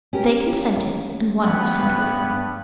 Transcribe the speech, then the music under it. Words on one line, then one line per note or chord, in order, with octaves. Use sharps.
They consented, and one was sent with him.
C#4 G4 A#4
G2 B3 F#6